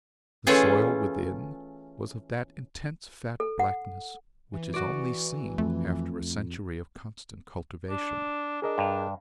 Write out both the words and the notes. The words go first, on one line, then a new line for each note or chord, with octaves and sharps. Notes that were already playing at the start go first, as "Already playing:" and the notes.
The soil within was of that intense fat blackness which is only seen after a century of constant cultivation.
E3 A3 C#4 F4 G#4
A4
F#5
E3
F#4 D5
F2 A3
D4
D4 G#4 A#4 D#5
G2